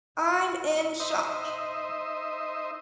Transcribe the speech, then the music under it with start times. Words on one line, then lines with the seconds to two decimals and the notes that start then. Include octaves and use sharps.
I’m in shock.
1.00 D#4 C5 D#5 E5